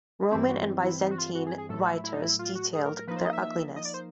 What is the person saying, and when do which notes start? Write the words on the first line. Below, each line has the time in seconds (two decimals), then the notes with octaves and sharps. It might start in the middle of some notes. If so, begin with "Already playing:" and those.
Roman and Byzantine writers detailed their ugliness.
0.23 D#4
0.32 G2 E3 G3 C4 E4
0.49 F#4
0.83 E4
1.01 D#4
1.11 F#4
1.18 F4
1.35 F#4
1.47 G#4
1.58 G#4
1.69 A2 F#3 A3 A4
1.82 F#4
1.93 E4
2.04 E4
2.13 D#4
2.22 E4
2.39 F4
2.55 F#4
2.73 G#4
2.85 A#4
2.97 A#4
3.07 F3 A#3 D#4 B4
3.16 C5
3.25 D#5
3.33 E5
3.76 D#5
3.85 D5
3.94 C5